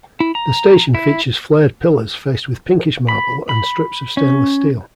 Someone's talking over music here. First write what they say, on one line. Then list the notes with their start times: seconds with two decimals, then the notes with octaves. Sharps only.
The station features flared pillars faced with pinkish marble and strips of stainless steel.
0.20 E4
0.35 A#5
0.95 E4
3.09 B5
3.49 B5
4.17 C#4